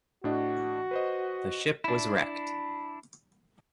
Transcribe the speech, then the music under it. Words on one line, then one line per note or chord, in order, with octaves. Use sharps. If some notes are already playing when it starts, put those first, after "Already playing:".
The ship was wrecked.
A2 D4 F#4 D#5
B4 C5 D#5
D4 E4